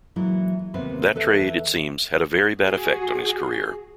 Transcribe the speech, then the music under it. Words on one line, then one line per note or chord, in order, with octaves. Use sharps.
That trade, it seems, had a very bad effect on his career.
A#2 E3 F#3 G#3 E4
D#2 C3 B3 C4 B4 C5
E2 A4 B4 E5
F#4 G#4